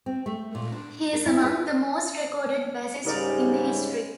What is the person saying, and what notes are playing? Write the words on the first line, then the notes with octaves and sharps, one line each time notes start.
He is among the most recorded bassists in history.
C4
A3
A#2
D4
A#4
E4
B4
G#2 C#3 G3 D#4 A#4 D5